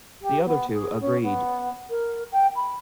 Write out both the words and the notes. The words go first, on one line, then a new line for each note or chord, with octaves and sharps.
The other two agreed.
G4
B3
G#4
C#4
B3
A#4
G5
B5